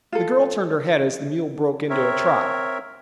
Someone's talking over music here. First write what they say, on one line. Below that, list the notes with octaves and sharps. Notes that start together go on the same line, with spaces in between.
The girl turned her head as the mule broke into a trot.
F4 A4
C4 A#4 C#5 E5